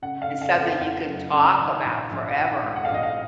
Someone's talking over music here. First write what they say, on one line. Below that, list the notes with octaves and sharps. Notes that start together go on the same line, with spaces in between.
It's something you can talk about forever.
C#3 F#5
F5
C#3
F5
F2
F#5
F2 F#5
F#1
C#3
D#3
A#1
A#1
D#3 F#5
G#2
F#5
F5
A#1
D#5
F5